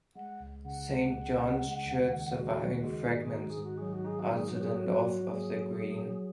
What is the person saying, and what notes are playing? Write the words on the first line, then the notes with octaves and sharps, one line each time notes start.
Saint John's Church surviving fragments are to the north of the Green.
G#3 F#5
C#2
C#3 F#5
G#3
C#2
C#3
G#3
D#2
D#3
G#3 F#4
D#3
G#3
G#2 F#4
G#4
D#4 F#4
G#4
G#2
F#4
F#3 G#4
F#4
D#4 G#4
F#4
G#2 G#4
F#4
F#3
G#4
F#3 F#4
F#3
A#3 G#4
F#3
F#3
F#3